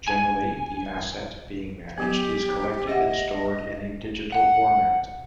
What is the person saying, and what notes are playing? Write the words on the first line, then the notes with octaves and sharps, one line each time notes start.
Generally the "asset" being managed is collected and stored in a digital format.
G#5
F#3 B3 G4
G4 D#5 E5 F#5
F#5